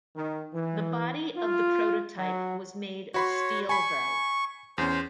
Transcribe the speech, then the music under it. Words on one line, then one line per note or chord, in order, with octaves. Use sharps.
The body of the prototype was made of steel though.
D#3
E3
F4
F#3
F#4 C#5 B5 C6
G#5 B5 C#6
E2 C#4 C5